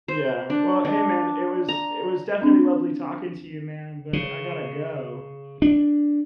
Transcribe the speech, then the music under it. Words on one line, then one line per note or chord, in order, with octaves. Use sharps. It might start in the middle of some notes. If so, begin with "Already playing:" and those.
Yeah. Well, hey, man, it was it was definitely lovely talking to you, man, but I gotta go.
C5
D4
D4
A#5
C4 D4
C#3
D4